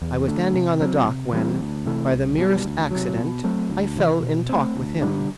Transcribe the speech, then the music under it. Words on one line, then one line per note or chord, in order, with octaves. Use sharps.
I was standing on the dock, when, by the merest accident, I fell in talk with him.
E2
D3 A3
C3
F#3 C4
C3
E3 G3 C4
D2
C3 E3 A3
C2
B2 G3
D2
C3 F#3
B2
F#3 A3 C4
D2
C3 E3
B2
A3 C4
D2
D3 G3 D4